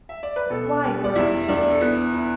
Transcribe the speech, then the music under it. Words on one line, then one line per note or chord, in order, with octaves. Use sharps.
Why Gorbachev?
E5
D5
B4
B2 A4
G3
D5
E2 E4 E5
E2 D4 D5
A4
B3 E4 B4
E4